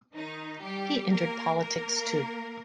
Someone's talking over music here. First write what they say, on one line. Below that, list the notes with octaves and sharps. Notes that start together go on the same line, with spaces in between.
He entered politics too.
D#3 D#4
G3 G4
A#3 A#4
A#3 A#4